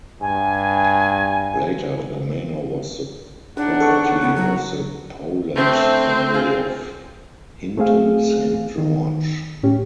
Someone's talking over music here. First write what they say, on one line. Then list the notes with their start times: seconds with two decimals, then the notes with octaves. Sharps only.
Later the manor was the property of the Powlett family of Hinton Saint George.
0.21 G2 G#5
3.57 C#3 D4 D#4 F#5
3.80 A4 C#6
4.21 B3
4.36 F#3
5.55 D3 A3 C4 C#4
6.34 F4 G#4
7.77 A3 C4 G#4 F5
8.78 D#3
9.63 A2 C#4 G4